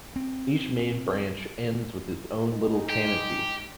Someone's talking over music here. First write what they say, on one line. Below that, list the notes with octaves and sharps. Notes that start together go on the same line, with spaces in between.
Each main branch ends with its own little canopy.
C4
G#3 D#4
G4